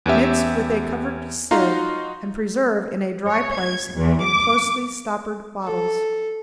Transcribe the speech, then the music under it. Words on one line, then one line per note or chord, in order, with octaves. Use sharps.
Mix with a covered sieve and preserve in a dry place in closely stoppered bottles.
E2 B3 C#4 G4 E5
D#4 F4 F#4 F5 A#5 C6
C#5
G#6
E2
D6
A4